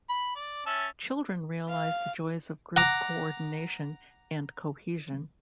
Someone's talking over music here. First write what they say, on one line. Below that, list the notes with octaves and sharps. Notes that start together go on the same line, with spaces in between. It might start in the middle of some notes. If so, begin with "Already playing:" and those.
Children realize the joys of group co-ordination and cohesion.
B5
D5
C#4 E5 A5
F5
F#5 A#5 D6